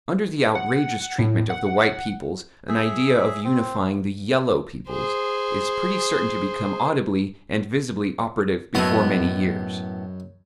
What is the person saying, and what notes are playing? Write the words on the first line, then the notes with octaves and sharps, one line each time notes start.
Under the outrageous treatment of the white peoples an idea of unifying the "Yellow" peoples is pretty certain to become audibly and visibly operative before many years.
F#5
A2
F#5
G#4 E5
C4
G#4 C5
F#2 A2 B3 D#5 B5